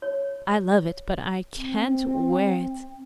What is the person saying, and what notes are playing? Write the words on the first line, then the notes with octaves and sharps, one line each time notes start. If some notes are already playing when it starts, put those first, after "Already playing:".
I love it, but I can't wear it.
C#5
C4